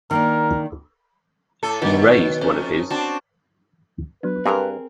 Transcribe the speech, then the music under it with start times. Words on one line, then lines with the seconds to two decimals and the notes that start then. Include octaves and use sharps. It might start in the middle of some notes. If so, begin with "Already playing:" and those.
He raised one of his.
0.11 D#3 A#3 D4 A#4
1.63 A2 A4
1.82 B2 D#3 F#3
2.41 F2 C#4 A#4
2.91 C4 D4 F#4 A5
4.23 F#3 B3 D4 B4
4.46 G2 C4 G#4 A#4 A#5 F6